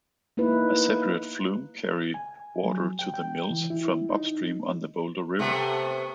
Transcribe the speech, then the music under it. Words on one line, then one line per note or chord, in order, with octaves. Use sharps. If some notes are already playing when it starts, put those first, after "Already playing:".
A separate flume carried water to the mills from upstream on the Boulder River.
A#3 D#4 E4 B4
G#5
F#3
G5
G5
E3
E4
D#4
C3 A3 B3